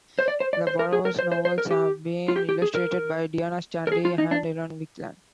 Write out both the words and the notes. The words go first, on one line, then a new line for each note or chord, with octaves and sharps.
The "Borrowers" novels have been illustrated by Diana Stanley and Ilon Wikland.
C5
D5
C5
D5
C5
A#4
G#4
A#4
C5
C5
C5
A#4
G4
F4
G4
G4
G#4
A#4
A#4
G#4
F4
D#4
D4